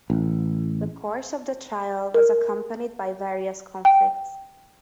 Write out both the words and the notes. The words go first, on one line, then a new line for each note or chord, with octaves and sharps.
The course of the trial was accompanied by various conflicts.
A1
A#4
G5